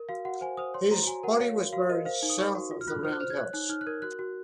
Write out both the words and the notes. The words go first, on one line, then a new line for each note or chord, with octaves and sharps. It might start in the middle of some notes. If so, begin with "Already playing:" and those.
His body was buried south of the Round House.
Already playing: A#4
F#4 F5
F#4 F#5
C5 G#5
C5 D#6
C#5 C6
F#4 A#5
F#4 G#5
A#4 F#5
C#5 F5
F#4
F#4 F5
A#4 D#5
C5 F5
D#4
D#6
D#4 C#6
F#4
F4
F6
F4 F#6
C5 F6
F#6
C5 F6
G#6
C#5 F#6
D#4 F#6
D#4 F6
F#6
A#4 G#6
F#4 F#6
F#4